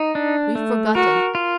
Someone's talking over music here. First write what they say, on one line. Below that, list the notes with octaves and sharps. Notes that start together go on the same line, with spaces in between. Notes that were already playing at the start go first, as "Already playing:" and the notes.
We've forgotten.
Already playing: D#4
D4
A3
F#4 A#4
F4